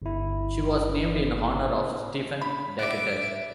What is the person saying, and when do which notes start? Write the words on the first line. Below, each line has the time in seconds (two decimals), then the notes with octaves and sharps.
She was named in honor of Stephen Decatur.
0.02 G1 E4
2.41 B5
2.79 D5 E5 F#5 D6